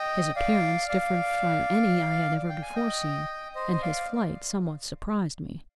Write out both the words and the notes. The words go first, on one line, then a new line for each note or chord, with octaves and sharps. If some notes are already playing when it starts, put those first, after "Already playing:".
His appearance, different from any I had ever before seen, and his flight somewhat surprised me.
Already playing: D#5 G5
D5 F5
D5 F5
G5
G#5
D#5 G5
C5 D#5
D#5
D5 F5